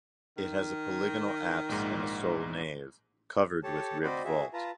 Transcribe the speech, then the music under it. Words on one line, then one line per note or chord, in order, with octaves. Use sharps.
It has a polygonal apse and a sole nave, covered with ribbed vault.
D#3
A#1 G#2
G4 A4 C#5 A5
C4 F#4 C5 D5 D#5 B5
F#4 G#4 E5
F4 B4 A5 A#5